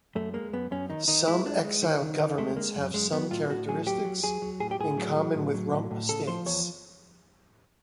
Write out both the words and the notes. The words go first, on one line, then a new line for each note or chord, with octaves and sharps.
Some exiled governments have some characteristics in common with rump states.
F#2 A3
G#3 A#3
F#2 B3
F#2 C#4
D#3 D#4
D#3 D#4
G#3 E4
G#3 D4
G#3
D#3
D#3
D#3
G#3 A3
G#3 A#3
F#2
F#2 G#3
F#3 B3
A2 F4
A2 F#4
F#3 G#4
F#3 G4
F#3
F#3 G#4
F#3
A2 G#4
G4
A2 G#4
F#3
F#3
A2
F#3
A2
A2
C#3 A4
F3 C5
E2 C#5